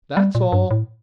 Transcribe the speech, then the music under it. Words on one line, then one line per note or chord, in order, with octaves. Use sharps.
That's all.'
G3
A#2
G2
A2